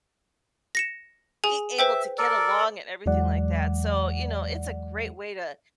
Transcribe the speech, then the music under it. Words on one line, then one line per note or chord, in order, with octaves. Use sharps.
being able to get along and everything like that so, you know, it's a great way to
A#6 C#7 E7
G#4 G#5
B4 C5 E5 G5
A4 A#4 D5
E2 E3 F#3 G#3 D5 F#5